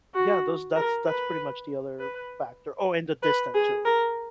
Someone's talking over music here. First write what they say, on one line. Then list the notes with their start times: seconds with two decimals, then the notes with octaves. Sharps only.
Yeah, those that's that's pretty much the other factor. Oh, and the distance too.
0.14 F#4
0.76 A#4
1.07 B4
2.00 B4
3.23 B4
3.54 G#4
3.85 A#4